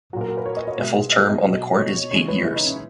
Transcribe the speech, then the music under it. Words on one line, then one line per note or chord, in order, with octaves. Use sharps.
A full term on the court is eight years.
A#2 F#3 F#4 A#4
A#4
B4
C#5
D#5
D#5
B2 G#3 E5
D#5
D#5
B2 F#3
C#5
C#3 E3 G#3 C#5
B4
E4
D#4
C#4